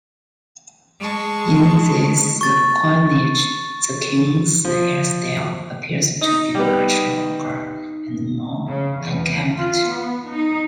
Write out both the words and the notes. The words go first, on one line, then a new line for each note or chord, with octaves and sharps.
In this coinage the king's hairstyle appears to be much longer and more unkempt.
G#3 A5 C#6
C#6 A6
F3
D#4
G3 B3
C#3
E2
F4
B3
D#4